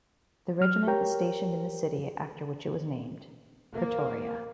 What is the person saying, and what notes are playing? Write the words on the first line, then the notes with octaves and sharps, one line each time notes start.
The Regiment is stationed in the city after which it was named, Pretoria.
F#3 F6
G4 A#4 C#5 G5 A#5
A#3